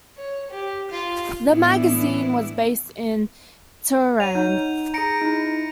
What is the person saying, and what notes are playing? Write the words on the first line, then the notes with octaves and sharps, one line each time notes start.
The magazine was based in Tehran.
C#5
G4
F4 F5
A2 E3 B3 D4 E4
C#5 F#5 D#7 F7
D#4 G6
G#4 A#5 A#6 C#7 D7
D#4 E4